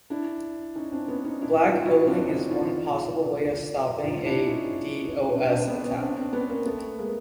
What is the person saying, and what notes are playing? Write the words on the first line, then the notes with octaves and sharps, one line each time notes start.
Black holing is one possible way of stopping a DoS attack.
D4 E4
C#4 D#4
C4 D4
B3 C#4
C#4 D#4
D4 E4
D#4 F4
E4 F#4
C4 D4
C#4 D#4
D#4 F4
D#4 F4
D4 E4
C#4 D#4
C4 D4
C4 D4
B3 C#4
B3 C#4
C4 D4
C4 D4
B3 C#4
A#3 C4
A3 B3
G#3 A#3